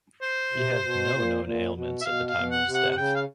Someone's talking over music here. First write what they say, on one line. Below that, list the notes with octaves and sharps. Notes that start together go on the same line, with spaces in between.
He had no known ailments at the time of his death.
C5
C3
B2
A#2
A#2
B2
E5
B2 F5
F5
B2
F#5
C3
F#5
F#5
C#3 G5
F5